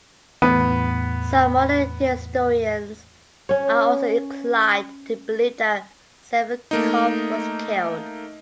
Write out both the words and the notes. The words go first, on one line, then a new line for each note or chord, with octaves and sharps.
Some modern historians are also inclined to believe that Savinkov was killed.
E2 A2 B3
C#4 C#5
A3 A#3 D#4